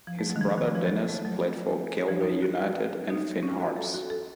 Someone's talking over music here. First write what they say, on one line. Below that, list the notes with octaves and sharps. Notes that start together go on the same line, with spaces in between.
His brother Denis played for Galway United and Finn Harps.
F3
A3
F#3
D#3
F3
D#3
F3
F#3
A3
F#3
F3
D#4
F4
F#4
D#4
C#4
F4
F#4
A4
F#4
A4